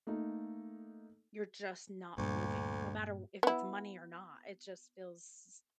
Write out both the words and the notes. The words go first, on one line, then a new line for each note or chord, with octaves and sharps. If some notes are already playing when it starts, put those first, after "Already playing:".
you're just not moving. No matter w if it's money or not, it just feels
A3 A#3 D#4
D2 G2 A#2
B3 E4